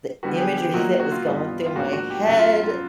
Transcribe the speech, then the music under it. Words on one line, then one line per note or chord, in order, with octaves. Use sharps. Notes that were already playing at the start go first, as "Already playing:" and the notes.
the imagery that was going through my head,
D3 G3 B3 F#4
G4
G#4
G4
A#2 F#3 A#3 D#4 F#4
F#4
F4
G2 E3 G3 B3 D#4
F4
F4
G#2 F3 A#3 D4 F#4
F#4
G4
F#2 C#3 F#3 F#4
F4
F4